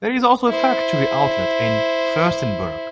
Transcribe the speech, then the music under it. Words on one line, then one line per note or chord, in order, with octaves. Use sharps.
There is also a factory outlet in Fürstenberg.
E4 C5